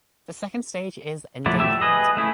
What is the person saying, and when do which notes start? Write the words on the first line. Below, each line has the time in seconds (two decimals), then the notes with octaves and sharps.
The second stage is "endangerment".
1.46 F3 F#3 A3 E4 D5
1.58 A3 G4 E5
1.81 G#4 B4 D#5
2.17 A3 C#4 E4